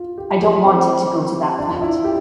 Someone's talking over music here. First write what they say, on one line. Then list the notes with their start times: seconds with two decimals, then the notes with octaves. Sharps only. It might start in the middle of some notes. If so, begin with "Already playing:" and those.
I don’t want it to go to that point.
Already playing: F4
0.18 G4
0.41 G4
0.65 C4
1.58 D4
1.72 F4
1.81 E4
2.04 G4